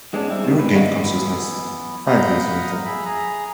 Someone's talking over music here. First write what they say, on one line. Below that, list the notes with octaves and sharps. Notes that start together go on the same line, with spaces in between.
He regained consciousness five days later.
G#2 G#3 B3 C#4 D4
G3 G#3 C4 D#4 E5
D#3 G3
E4 B4
G3 C#4 B4 D#5 F5 F#5
E3 B3 E4
F5 F#5 A#5 B5 D#6 G6
G#4 E5 B5
G#4 A#5